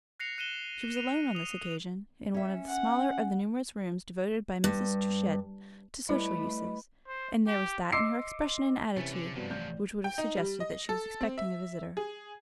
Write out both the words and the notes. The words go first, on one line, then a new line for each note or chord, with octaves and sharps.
She was alone on this occasion, in one of the smaller of the numerous rooms devoted by Mrs. Touchett to social uses, and there was that in her expression and attitude which would have suggested that she was expecting a visitor.
F#6 A#6 C7 C#7 F7
F#6 D#7 E7 G7
D#7 F7
D#7
D#6 F7
C#4 E5
F#5
G2
G3 A3 E4 B4 D#5
C5
G4
D#5 C6 D6 E6 C7 C#7
C3 E3 A3 B3 C#4
D3
G2 F3 F#3 B3 F#4
A1 D5 G6
G5
D#4
G3
D#5
A4
C4
E5
G#4